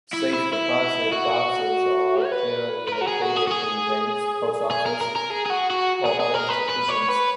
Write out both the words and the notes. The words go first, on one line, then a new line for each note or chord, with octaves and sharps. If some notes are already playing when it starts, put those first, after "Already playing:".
Safe deposit boxes are generally located in banks, post offices or other institutions.
E4
E4
E4
F#4
C#5
B4
B4
A#4
F#4
G#4
F#4
G#4
F#4
G#4
G#4
A#4
A#4
A#4
G#4
G#4
F#4
F#4
G#4
G#4
A#4
B4
B4
C#5
B4